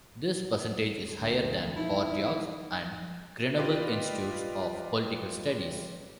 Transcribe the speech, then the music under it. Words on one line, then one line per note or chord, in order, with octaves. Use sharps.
This percentage is higher than in Bordeaux and Grenoble Institutes of Political Studies.
D2
D#4 E4
F4 G4 B4 D5 D#5